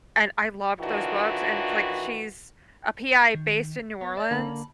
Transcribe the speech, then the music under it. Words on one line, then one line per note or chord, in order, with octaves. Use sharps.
and I loved those books, and it's, like, she's a PI based in New Orleans
A2 D#3 E3 D4 F4 F#4
D#3
B3 C#5
D5 E5
D3 A#3 A5 B5